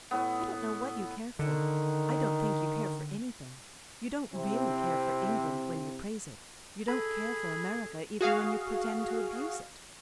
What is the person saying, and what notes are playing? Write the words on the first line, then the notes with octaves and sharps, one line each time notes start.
"I don't know what you care for; I don't think you care for anything. You don't really care for England when you praise it; you don't care for America even when you pretend to abuse it."
A2 B3
D3 D#3
C3 C4 E4
G#4 A4 B5
F#4 G#4 F5